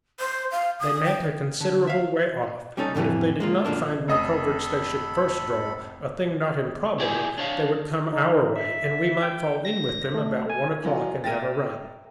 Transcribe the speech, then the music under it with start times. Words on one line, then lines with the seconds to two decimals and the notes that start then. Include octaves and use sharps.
They met a considerable way off, but if they did not find in the coverts they should first draw, a thing not improbable, they would come our way, and we might fall in with them about one o'clock and have a run.
0.20 C5
0.51 F5
0.80 D#6
1.04 G5
1.60 D3
1.87 E5 F5
2.77 G3 C#4 D#4 A4
2.95 F2 A2 C3 E3 G3
3.40 G#3 A#3 F4
3.65 F#2 A#2 D3 A#3 D4
4.08 F1 A4 D#5 B5 D#6
7.00 E4 G4 G#4 D5 G#5
7.38 D4 C#5 F5
8.13 D#4
8.56 E5
9.22 G5
9.65 A#6
10.14 A3
10.50 G#5
10.83 E3 F#3 F4
11.24 A#4 E5 G5 A6 A#6 D#7